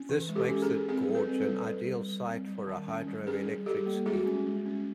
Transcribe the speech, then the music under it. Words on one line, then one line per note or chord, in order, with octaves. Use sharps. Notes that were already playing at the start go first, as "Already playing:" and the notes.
This makes the gorge an ideal site for a hydro-electric scheme.
Already playing: C#4
E3
G#3
G4 A4
C#4
G#4 A#4
C#4
C4 G#4 A#4
G3
A4 B4
C4
A4 B4
G3
G3
G3
G3
C4
G3
D#3
C#4
G3
C#4 G#4 A#4
G3
G3 G4 A4
A#3
G#3 F#4 G#4
C#4
G#3
C#4